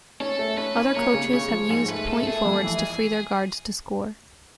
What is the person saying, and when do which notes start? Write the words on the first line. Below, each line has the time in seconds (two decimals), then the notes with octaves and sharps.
Other coaches have used point forwards to free their guards to score.
0.20 C#4 A4
0.39 A3
0.58 C#4 B4
0.77 C#4
0.96 A#3 C#5
1.14 C#3
1.33 C#3 C#5
1.52 F3
1.70 G#2 C#5
1.89 A3 B4
2.07 A3 A4
2.27 A3 G#4
2.45 F2
2.64 E3